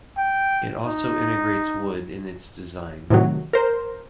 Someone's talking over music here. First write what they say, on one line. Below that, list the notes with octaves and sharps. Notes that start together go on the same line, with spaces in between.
It also integrates wood in its design.
G5
D#4
A2 C3 D#3 F#3
A#4 C5